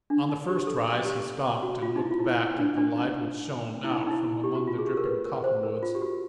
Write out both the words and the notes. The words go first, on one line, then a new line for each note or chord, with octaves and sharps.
On the first rise he stopped and looked back at the light which shone out from among the dripping cottonwoods.
D4
D#4
G4
A4
G4
F#4
F4
D#4
E4
F4
E4
D4
D4
D#4
E4
D#4
D#4
E4
G4
F#4
F4
G#4
G4
A#4
B4
A#4
C5
A#4
F4
G4
F#4